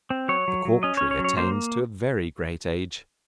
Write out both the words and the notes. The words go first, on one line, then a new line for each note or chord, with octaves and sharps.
The Cork Tree attains to a very great age.
C4
F#3 C#5
F#3
F#3
C#4 D#5
C#4 C#5
C#5
F#3
C#5
A#3 C5